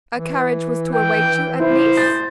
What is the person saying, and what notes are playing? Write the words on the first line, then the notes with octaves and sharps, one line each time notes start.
"A carriage was to await you at Nice?"
E3
G5
E4 C5
A6